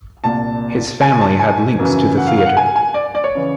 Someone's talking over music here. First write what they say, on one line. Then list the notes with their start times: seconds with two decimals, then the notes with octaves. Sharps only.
His family had links to the theatre.
0.24 C2 A#2 A5
1.02 G#5
1.21 A5
1.39 G#5
1.79 F#2 C#3 E3
2.17 F#5
2.27 F5
2.37 F5
2.46 F#5
2.57 G#5
2.76 G#5
2.94 D5
3.15 D5
3.24 C#5
3.35 C#3 E3